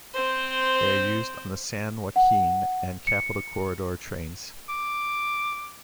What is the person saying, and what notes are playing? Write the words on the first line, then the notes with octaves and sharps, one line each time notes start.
They are used on the "San Joaquin" and "Capital Corridor" trains.
C4 C5
F#5
C#7
D6